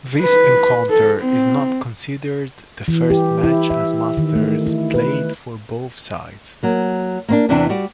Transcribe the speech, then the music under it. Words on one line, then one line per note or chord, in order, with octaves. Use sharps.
This encounter is not considered the first match as Masters played for both sides.
B4
A4
C4
E3
G4
E4
E5
D#3
A3
E4
B4
F#3 A#3
A#3 C4 D4
E2 C3 E3 C4 D4
G3 F#4 D5